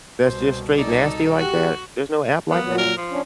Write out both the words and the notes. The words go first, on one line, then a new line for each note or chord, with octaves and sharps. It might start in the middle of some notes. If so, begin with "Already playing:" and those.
that's just straight nasty like that, there's no app like that?
C2 B2 C5
D#4 A4 D5
F#4 G4 F#5
G3 B3 A#4 F5
A#2 F#3
A#4
F3
C#4 D4